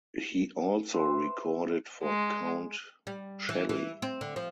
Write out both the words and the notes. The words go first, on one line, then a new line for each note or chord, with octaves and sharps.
He also recorded for Count Shelley.
B4 C5 E5 C6
G#3
G3
E3
E3
C4
D3
F3